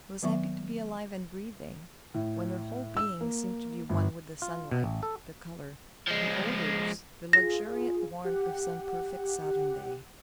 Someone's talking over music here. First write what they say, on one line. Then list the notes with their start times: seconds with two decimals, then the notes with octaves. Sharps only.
She was happy to be alive and breathing, when her whole being seemed to be one with the sunlight, the color, the odors, the luxuriant warmth of some perfect Southern day.
0.22 D#3 F#3 B3 E5 C#6
2.14 A2
2.97 E6
3.21 A#3
3.89 G1
4.42 F4
4.71 B2
4.84 A1
5.03 A4
6.08 F3 G#3
7.33 F4 G#4 A#6
8.24 G4 F#5